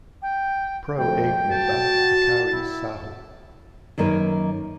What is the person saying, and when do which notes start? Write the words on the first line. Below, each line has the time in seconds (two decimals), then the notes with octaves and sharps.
Pro Egg member Akari Saho.
0.22 G5
0.98 F2 F3 A3 G5
1.51 F#4 A5
2.50 E4
3.98 F#2 D#3 A#3 A#4 B4